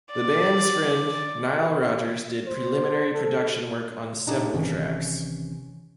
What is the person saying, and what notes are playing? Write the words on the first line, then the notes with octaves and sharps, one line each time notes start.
The band's friend Nile Rodgers did preliminary production work on several tracks.
D5
C5
A4
A#2 D4 D#4 G4
G1 C3 D#3 E3 C#4